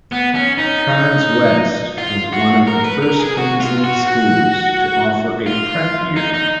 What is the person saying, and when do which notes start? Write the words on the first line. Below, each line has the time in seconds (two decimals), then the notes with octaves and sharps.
Cairns West was one of the first Queensland schools to offer a "Prep" year.
0.12 B3
0.35 C#4
0.58 D#4
1.98 F4
2.33 F#4
2.67 A#4
2.84 B4
3.03 A#4
3.20 G#4
3.37 F#4
3.60 F4
3.84 F#4
4.07 F#4
5.46 F4
6.16 D#4
6.34 D#4